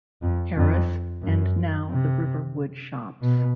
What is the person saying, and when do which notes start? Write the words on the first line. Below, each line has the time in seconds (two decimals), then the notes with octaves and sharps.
Harris and now The Riverwood Shops.
0.22 F2
0.56 F2
1.22 F#2
1.89 C3
3.22 B2